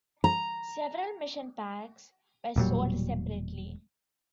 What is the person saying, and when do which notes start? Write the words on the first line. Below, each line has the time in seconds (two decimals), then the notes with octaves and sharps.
Several mission packs were sold separately.
0.24 A#5
2.56 E1 A#2 F#3 G3